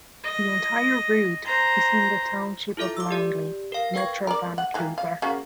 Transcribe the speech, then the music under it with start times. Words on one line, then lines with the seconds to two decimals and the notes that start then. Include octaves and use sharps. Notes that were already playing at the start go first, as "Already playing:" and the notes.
The entire route is in the Township of Langley, Metro Vancouver.
0.24 D#5
1.45 C5 A#5
2.77 E4 F4 A4 E5 D6
2.97 D6 E6
3.11 G4 D5
3.72 A#4 F5
3.94 B4 F5 G5 C#6 G#6
4.27 A#4 D5
4.58 F#5
4.74 D#3 E3 A#3
4.98 F5
5.22 C#3 A#3 F#4